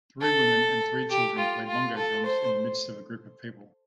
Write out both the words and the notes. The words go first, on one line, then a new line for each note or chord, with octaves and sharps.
Three women and three children play bongo drums in the midst of a group of people.
A4
G4
F4
F4
A4
C5